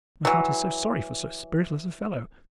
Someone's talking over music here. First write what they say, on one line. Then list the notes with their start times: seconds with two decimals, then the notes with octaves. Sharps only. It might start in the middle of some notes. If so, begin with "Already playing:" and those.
But my heart is sorry for so spiritless a fellow!
0.25 E3 F#3